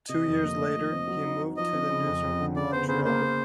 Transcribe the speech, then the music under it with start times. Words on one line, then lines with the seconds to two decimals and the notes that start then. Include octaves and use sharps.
Two years later, he moved to the newsroom in Montreal.
0.09 C3 D#5
0.26 F2
0.43 A#3
0.59 A3
0.75 F3
0.92 C4
1.08 F#3
1.25 D#4
1.41 D#4
1.57 F3 D#5
1.73 C4
1.90 C#3
2.06 F2
2.23 F2
2.39 D3
2.56 C#3 D5
2.72 B3 C5
2.88 C#3 C5
3.05 A#3 C5
3.22 A#3